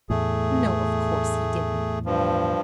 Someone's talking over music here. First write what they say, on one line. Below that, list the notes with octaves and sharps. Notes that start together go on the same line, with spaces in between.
"No, of course he didn't."
E2 A2 A3 G#4
G2 F3